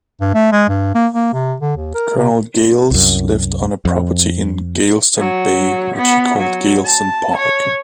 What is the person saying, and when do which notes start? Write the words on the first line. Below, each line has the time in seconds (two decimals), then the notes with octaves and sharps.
Colonel Geils lived on property in Geilston Bay which he called "Geilston Park".
0.21 G2
0.34 A3
0.52 G#3
0.69 G2
0.95 A#3
1.13 A#3
1.34 C3
1.61 D3
1.77 D#2
1.94 A#4
2.17 C3
2.91 C2 F#2
3.85 F2
5.18 F#3
5.96 B3
6.38 F#3
6.86 A5
7.37 C#5